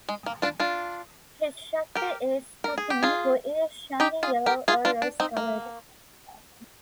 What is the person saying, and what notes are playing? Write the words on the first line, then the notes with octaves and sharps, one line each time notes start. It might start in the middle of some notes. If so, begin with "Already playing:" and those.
His shakti is Kakini, who is shining yellow or rose-coloured.
G#3
A#3
D4 F4
D4 F4
G4 A#4
A#4
G#4
G4
F4 G#4
D#4 G4
F4 G#4
G4 A#4
F4 G#4
D4 F4
D4
C4 D#4
A#3